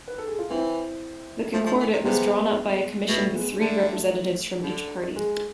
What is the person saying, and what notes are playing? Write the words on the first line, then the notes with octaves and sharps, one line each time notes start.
The Concordat was drawn up by a commission with three representatives from each party.
B4
A4
G#4
F4
E3 C4 E4
F3 A3
F3
E3
C3
C3 G#3 B3
B2 A3
A3
G#3 B3
G#3
D3 A3
D3
G#3